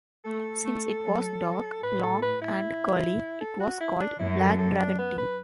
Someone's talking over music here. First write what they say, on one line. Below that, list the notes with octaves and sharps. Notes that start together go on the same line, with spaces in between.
Since it was dark, long, and curly, it was called Black Dragon tea.
A3 A4
A3
F#3
F#3
A2 B4
A4
B4
E4
A4
F#4
E4
D4
F#2 E4
A4
A4
D4
B3
B4